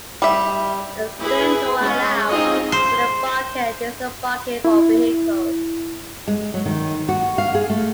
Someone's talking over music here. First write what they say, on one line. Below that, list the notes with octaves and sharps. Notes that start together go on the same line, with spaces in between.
A stern door allowed for the embarking and disembarking of vehicles.
G3 E5
E4 G#4 B4
G#3 C#4
C4 D#4 F4 G#4 D#5
C5
E4
G#3
F#3
D#3
F#4
F5
G#4
A3